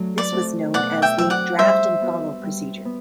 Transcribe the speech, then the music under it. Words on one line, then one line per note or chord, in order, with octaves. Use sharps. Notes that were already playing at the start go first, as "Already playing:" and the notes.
This was known as the "draft-and-follow" procedure.
Already playing: F#3 A3 D4
D5
A3 C4 F#4
B2 D5 F#5
E5 G5
F#3 C4 E5
D5 F#5
G3 C5 E5
B3 F#4
G3
B3